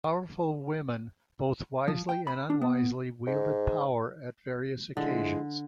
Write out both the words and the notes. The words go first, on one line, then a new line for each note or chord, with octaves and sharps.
Powerful women both wisely and unwisely wielded power at various occasions.
F3
G5
B5
D4
B3
G#2
D3 F3 G#3 E4